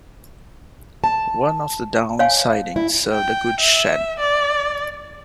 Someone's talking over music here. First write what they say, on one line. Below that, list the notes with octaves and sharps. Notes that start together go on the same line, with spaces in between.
One of the down sidings served a goods shed.
A5
C#5 F5 G#5
E4
G5
E5
D5